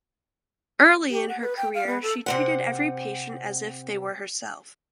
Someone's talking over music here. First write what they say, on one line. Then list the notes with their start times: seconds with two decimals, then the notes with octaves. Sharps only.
Early in her career she treated every patient as if they were herself.
1.10 G4
1.29 F#5
1.41 B4
1.57 G5
1.74 F5
1.87 B3
2.02 A4
2.26 C3 C4 F#5